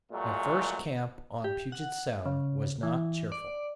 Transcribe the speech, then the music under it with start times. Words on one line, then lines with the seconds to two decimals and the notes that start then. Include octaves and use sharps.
My first camp on Puget Sound was not cheerful.
0.11 A#2 F#3 G#3 A3
1.44 G4
1.72 F#5
2.26 C#3
2.83 E3
3.32 D5